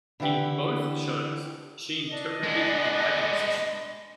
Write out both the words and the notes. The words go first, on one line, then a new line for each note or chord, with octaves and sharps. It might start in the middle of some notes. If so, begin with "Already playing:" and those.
In both shows she interpreted antagonists.
D3 E3 E4 G4
D4 D#5
G#3 B3